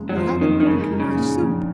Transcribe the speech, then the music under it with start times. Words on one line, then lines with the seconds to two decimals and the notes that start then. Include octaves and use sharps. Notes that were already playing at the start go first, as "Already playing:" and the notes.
"You haven't drunk your nice soup."
Already playing: F#1 F2 C#3 G#3
0.09 F#3
0.17 F2 F3
0.41 F#1 D#3
0.60 D#3
0.66 C#3 G#3
0.91 D#4
1.00 C#3
1.17 A#2
1.41 A#1